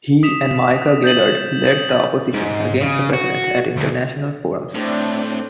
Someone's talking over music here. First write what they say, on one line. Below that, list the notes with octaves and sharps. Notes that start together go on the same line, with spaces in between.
He and Micha Gaillard led the opposition against the President at international forums.
D#6 B6 E7 F7
G6 A6 F#7
G#2
C#3
F#4
D2
A2 A3 C4 D4